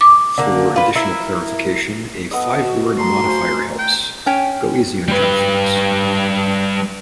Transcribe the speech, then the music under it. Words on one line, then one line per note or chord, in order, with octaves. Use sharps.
For additional clarification, a five-word modifier helps: go easy on junk foods.
D6
D3 A#3
F4 B4
E4 A#4 E5
B3 A4 D#5
F#4
A3 A5 A#5 C6
C5 F5 G#5
G5
C#4 C#5 G5
G3 B4